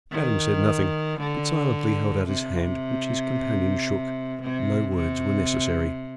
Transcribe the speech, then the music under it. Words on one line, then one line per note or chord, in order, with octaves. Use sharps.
Adam said nothing, but silently held out his hand, which his companion shook: no words were necessary.
D#3
D3
C3
C3
C3